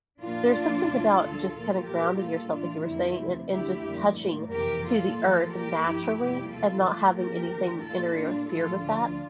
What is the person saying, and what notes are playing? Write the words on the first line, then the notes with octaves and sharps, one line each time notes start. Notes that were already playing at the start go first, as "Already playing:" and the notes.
There's something about just kinda grounding yourself, like you were saying, and and just touching to the earth naturally and not having anything interfere with that.
A#2 F3 A#3 D4 F4
A2 F3 A#3
D2 C3 E3 A3
D2 D3 F3 F4 A4
A#2 F3 A#3 F4 A4
A#2 G3 A#3 G4 A#4
A#2 G3 A#3 F4 A4
A2 E3 A3 D4 F4
F2 D3 G3 A#3 C4 E4
D2 C3 F3 A3
D2 D3 A3 E4 G4
F2 D3 G3 A#3
A2 G3 A#3
F2 C3 E3 G4 A#4
A#2 G3 A#3 F4 A4
A2 F3 A#3 F4 A4
A#2 G3 A#3 G4 A#4
G2 F3 A3 E4 G4
F2 C3 G3 A#3 E4 G4
E2 C3 F3 F4 A4
A2 F3 A3
A2 F3 A#3 G4 A#4
E2 D3 A3
A2 G3 A#3 F4 A4
A#2 G3 A#3 D4 F4
A2 F3 A3 F4 A4
D2 D3 F3 D4 F4